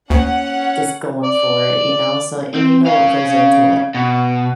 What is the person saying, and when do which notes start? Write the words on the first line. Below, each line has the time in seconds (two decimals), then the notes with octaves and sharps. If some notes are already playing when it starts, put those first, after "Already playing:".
just going for it, you know? So and you know what goes into it.
0.10 D2 A#3 C#4 F#5
1.24 D5
2.55 C4
2.86 C#4 F5
3.95 B2